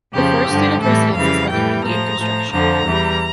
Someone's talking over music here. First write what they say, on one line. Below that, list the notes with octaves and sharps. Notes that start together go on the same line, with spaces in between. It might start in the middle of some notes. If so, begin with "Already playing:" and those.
The first student residences are currently in construction.
F2 C#3 F3 G4
G2 D3 F3
A2 E3 G3 A4
F2 C#3 E3 G3 F5
A2 E3 G3 G5
A2 F3 A#5
A2 F3
F2 D3 F3 A#5
E2 E3 G3